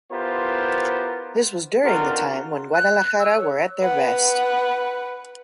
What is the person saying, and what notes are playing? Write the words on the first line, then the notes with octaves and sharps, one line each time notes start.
This was during the time when Guadalajara were at their best.
B3 E4 F4 G4 A#4 C5
B1 C4 D4 F4 F#4 A#4
F#6
E6
C#5
B4 F#5